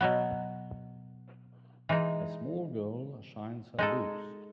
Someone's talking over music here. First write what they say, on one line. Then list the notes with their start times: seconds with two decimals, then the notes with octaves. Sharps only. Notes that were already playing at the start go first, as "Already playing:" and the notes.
A small girl shines her boots.
0.01 B2 F#3 B3
1.89 E3 G#3 D#4
3.79 G#3 D#4 A4